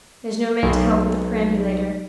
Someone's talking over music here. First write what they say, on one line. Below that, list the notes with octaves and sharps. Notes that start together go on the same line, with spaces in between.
There's no man to help with the perambulator.
B1